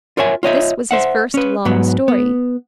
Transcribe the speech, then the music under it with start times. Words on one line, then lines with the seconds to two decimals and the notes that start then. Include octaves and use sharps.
This was his first long story.
0.17 F4 A#4 C#5 E5 G#5
0.43 F4 C#5 D#5 E5
0.91 C5 E5 F#5
1.34 C#4 B4
1.65 G#2 F#3 B3
2.08 B3